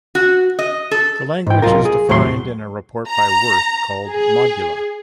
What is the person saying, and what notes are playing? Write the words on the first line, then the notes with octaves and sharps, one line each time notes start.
The language is defined in a report by Wirth called Modula.
F#4
D#5
A4
G#2 G5
B1 F2 F4 A#4
G#4
D#2 A2 F#3 B4 C6
A#5
G#4